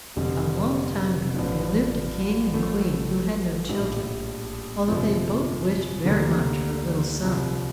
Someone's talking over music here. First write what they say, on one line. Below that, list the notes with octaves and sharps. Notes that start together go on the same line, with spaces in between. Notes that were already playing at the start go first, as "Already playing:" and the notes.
A long time ago there lived a king and queen who had no children, although they both wished very much for a little son.
F1 F2 D3 G3
A1 G2 F3
A1 A2 F3 A3
A#1 A2 G3
G1 F2 C3 F3
D2 D3 G3 A#3
C2 C3 F3